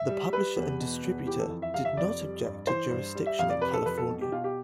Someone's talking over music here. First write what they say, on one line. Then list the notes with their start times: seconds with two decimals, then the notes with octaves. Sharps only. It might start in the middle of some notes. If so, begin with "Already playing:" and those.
The publisher and the distributor did not object to jurisdiction in California.
Already playing: E5
0.09 G3
0.33 G3 B4
0.56 E2
0.80 B2
1.03 E2
1.26 E3 G4
1.39 A4
1.50 F2
1.62 E5
1.74 C3 F5
1.85 E5
1.97 F2 D5
2.08 D5
2.21 G3
2.45 G2
2.67 E3 C5
2.91 G2
3.15 G3
3.26 E5
3.39 F2 F5
3.50 D5
3.61 C3 B4
3.74 A4
3.85 F2 B4
3.98 A4
4.09 B2
4.21 G4
4.32 B2 F4
4.44 G4